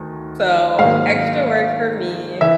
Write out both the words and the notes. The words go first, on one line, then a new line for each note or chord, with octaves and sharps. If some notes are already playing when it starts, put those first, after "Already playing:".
So, extra work for me,
Already playing: D2 D#3
G#2 D#3 F#3 A#3 F5
E3 E5